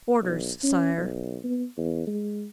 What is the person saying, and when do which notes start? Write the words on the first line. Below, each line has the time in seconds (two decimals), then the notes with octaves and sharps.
"Orders, Sire."
0.22 B1
0.64 C#4
0.98 B1
1.44 B3
1.78 E2
2.07 G#3